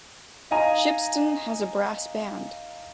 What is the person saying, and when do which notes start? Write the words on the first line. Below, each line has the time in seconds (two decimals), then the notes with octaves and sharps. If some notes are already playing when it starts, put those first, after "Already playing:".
Shipston has a brass band.
0.51 D#4 D#5 F5 G#5 A#5